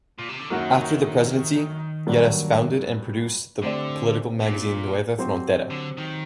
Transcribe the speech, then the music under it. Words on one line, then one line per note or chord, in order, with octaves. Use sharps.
After the presidency, Lleras founded and produced the political magazine "Nueva Frontera".
A#2
C3
D3
F#2 D#3 F#3 A#3 F#4 A#4
G2 F#3 A#3 D4
D3 A3 C4 G4 D5
A#2
F#3 C4 G4 C5
D3
D#3